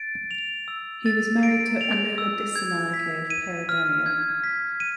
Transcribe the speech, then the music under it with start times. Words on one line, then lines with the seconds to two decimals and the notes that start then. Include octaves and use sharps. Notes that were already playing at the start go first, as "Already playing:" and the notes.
He was married to Anula Dissanayake of Peradeniya.
Already playing: A6 D7
0.31 F7
0.68 E6
1.06 A6
1.43 D7
1.81 F7
2.18 E6
2.56 G#6
2.94 B6
3.30 D#7
3.69 F6
4.06 G#6
4.44 B6
4.80 D#7